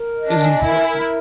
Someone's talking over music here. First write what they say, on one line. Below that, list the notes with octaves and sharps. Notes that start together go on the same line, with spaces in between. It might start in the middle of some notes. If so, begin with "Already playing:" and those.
is important
Already playing: A#4
D#5
D4
G#5
E4 A#4
A#4